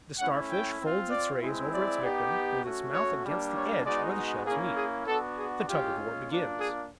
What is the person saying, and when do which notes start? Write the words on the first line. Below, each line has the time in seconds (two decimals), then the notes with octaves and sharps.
The Starfish folds its rays over its victim, with its mouth against the edge where the shells meet. The tug-of-war begins.
0.18 A3 C#4 E4 F#5
0.50 G5
0.80 C4 F4
1.10 D5
1.41 G#3 C4 E4
1.71 D5
2.02 B3 D#4 G4
2.63 A3 C#4 F#4
2.94 C#5
3.24 G3 A#3 D4
3.55 C#5
3.85 G#3 B3 D#4 F#4 D5
4.46 A#3 C#4 E4 G#4
4.76 G#4
5.07 B3 D4 F#4 A4
5.38 G#4
5.68 G#3 C#4 F4 G4
6.29 A#3 D4 F4
6.59 G#4